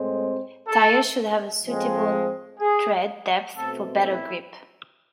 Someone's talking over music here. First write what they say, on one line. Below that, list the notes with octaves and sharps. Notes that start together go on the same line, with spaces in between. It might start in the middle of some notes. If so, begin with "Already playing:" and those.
Tires should have a suitable tread depth for better grip.
Already playing: A2 G#3 C4
A4
A2 F3 G#3 C4
G#4
B2 A3 C4 A4
E4